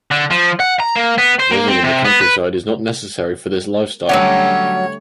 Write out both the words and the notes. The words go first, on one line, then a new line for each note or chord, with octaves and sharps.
Living in the countryside is not necessary for this lifestyle.
D3
F3
F#5
A#5
A#3
B3
C5
A#3
C4
C3
B3
B4
D3 F#3 G3 A3 B3 C#4 C#5 F#5